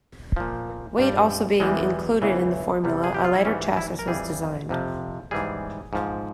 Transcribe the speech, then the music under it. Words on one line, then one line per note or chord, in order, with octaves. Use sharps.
Weight also being included in the formula, a lighter chassis was designed.
A#2 F3
G2 G3
E2 E3 G3 G#3
E2 C#3 E3
E2 C3 G3
G#4
G4
F4
E4
G#2 E3 G3 C#4
E4
A#4
F2 E3 G3 G#4
F2 C3 F3
G#2 E3 G3 G#4
G#2 F3